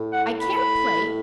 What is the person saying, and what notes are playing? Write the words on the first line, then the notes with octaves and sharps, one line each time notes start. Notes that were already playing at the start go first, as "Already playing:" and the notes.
I can't play.
Already playing: A2
F#5
B5